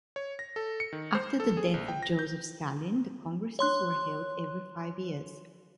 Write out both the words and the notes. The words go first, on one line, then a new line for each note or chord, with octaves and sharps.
After the death of Joseph Stalin, the congresses were held every five years.
C#5
A#6
A4
C#7
D#3
C5
A4
G#4
A#1
G5
A#6
G6
C#5 C6 F#6